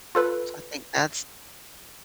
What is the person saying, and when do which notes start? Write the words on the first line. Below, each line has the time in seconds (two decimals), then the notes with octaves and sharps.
So, I think that's,
0.15 F4 A4 B4